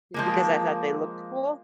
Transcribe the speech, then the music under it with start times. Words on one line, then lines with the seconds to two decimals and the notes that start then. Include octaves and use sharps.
just because I thought they looked cool.
0.14 F3 G#3 A#3